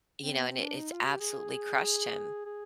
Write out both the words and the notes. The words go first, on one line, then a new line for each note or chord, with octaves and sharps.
You know, and it it's absolutely crushed him
C4
B3
C4
D4
D#4
F4
G4
G#4
G#4